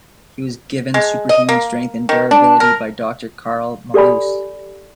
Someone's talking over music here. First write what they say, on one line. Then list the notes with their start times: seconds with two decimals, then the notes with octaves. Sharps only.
He was given superhuman strength and durability by Doctor Karl Malus.
0.94 G#3
1.29 D#5
1.49 A#3
2.09 D#3
2.31 D4
2.60 A#4
3.94 G4 A4 D5 G#5 B5